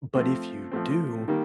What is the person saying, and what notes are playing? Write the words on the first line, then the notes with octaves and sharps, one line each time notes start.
but if you do,
F3 A3 C4
F3 A3 C4
D#3 G3 A#3